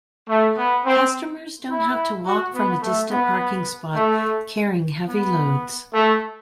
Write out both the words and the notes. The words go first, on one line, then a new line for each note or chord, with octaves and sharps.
Customers don't have to walk from a distant parking spot carrying heavy loads.
A3
B3
C4
E4
F#4
B3
A3
B3
A3
B3
A3